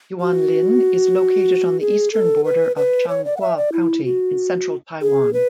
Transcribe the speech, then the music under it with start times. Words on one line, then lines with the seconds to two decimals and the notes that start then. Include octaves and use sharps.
Yuanlin is located on the eastern border of Changhua County, in central Taiwan.
0.21 F#4
1.80 G#4
2.12 A4
2.45 B4
2.76 B4
3.08 C#5
3.25 D5
3.37 F#5
3.41 E5
3.57 D5
3.73 E4
4.05 F#4
5.01 G#4
5.33 B4